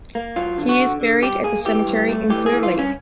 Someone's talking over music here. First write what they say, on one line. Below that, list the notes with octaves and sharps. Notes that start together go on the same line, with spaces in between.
He is buried at the cemetery in Clear Lake.
A#3
F#3 F4
D3
F#4
D3
D3
G3 G4
A#3 G#4
E3 G4
G2
A3
E3 G4
G#4
E3
F4
G2
C#4